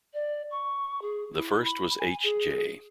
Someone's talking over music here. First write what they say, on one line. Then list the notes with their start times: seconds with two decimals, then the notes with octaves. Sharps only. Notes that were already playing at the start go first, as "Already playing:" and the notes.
The first was H. J.
0.14 D5
0.51 C#6
1.02 G#4
1.33 E4
1.64 B5
1.99 G#5
2.23 G#4